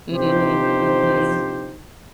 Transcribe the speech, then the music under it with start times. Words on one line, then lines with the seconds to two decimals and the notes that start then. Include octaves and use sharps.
Mhm, mhm.
0.12 G1 C3 F3 D#4 G4 C5